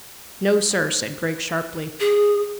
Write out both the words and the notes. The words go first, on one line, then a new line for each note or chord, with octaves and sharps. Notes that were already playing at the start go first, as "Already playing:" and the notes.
"No, sir," said Griggs sharply.
G#4